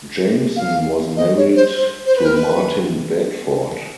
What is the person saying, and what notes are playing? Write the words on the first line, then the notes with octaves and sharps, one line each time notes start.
Jameson was married to Martin Bedford.
F5
D#5
C#5
C5
C5
C5
B4
A#4
B4